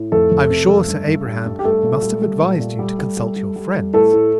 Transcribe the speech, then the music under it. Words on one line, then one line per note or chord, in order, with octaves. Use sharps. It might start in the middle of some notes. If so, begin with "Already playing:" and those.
"I'm sure Sir Abraham must have advised you to consult your friends."
Already playing: A2
F2 A3 A4
F2
C3
F2
G2
G2
G3
G2
G4
G3 A3 A4
A#2
G3
G3
A#2
A#2
G3
G3
G3
G3
G3
G3
A2 A3 A4
A2